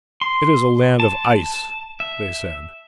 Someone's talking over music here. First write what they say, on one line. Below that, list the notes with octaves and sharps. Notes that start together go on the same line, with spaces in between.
"It is a land of ice," they said.
C6
A5
E5